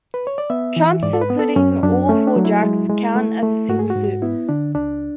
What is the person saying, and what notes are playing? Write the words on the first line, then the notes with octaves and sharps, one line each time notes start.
Trumps, including all four jacks, count as a single suit.
B4
C#5
D5
B3 E5
E3
G#2 D5
A4
B4
B3
A4
F#2 C#4
F#2 D4
A3 C#4
D4
F#3
E4
G#3
G#3
A3
A3
G#2 F#4
G#4
F#4
G#2
B3 E4
D3 D4
C#2 D4